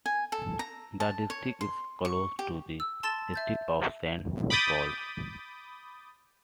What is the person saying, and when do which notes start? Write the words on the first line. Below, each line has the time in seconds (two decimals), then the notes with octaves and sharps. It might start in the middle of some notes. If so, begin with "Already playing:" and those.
The district is close to the district of Saint Pauls.
0.06 G#5
0.32 A4
0.59 A#5
1.00 A5
1.30 C#5
1.61 C6
2.05 C#6
2.39 G4
2.80 E6
3.03 A5 C6 E6 A6 E7
3.34 E5 G6 A6
4.50 B5 D6 D#6 G6 A6